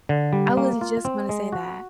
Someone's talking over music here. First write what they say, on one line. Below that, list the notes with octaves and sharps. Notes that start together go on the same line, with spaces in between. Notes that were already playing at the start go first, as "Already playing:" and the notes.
I was just gonna say that.
D3
G3
A#3
F4
C4
G#3
F#4